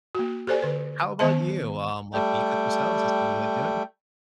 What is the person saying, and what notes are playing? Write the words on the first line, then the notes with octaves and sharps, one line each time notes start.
How about you, um, like do you cook yourselves? Is that something you like doing?
A#3 F#4
G4 A4 C5 D5 G#5
D3 B4
D#3 B3 C5 E5 A5
G3 A3 G5